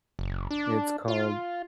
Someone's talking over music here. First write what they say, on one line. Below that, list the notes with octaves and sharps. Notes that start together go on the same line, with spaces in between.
it's called
F#1
D4
F4